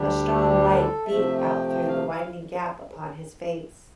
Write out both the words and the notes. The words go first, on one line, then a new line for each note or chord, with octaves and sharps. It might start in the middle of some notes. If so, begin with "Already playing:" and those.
A strong light beat out through the widening gap upon his face.
Already playing: D2 D3 G3 D4 G4
G4
A#4
A4
C3 F3 A3 E5
G5
G5
F5
F5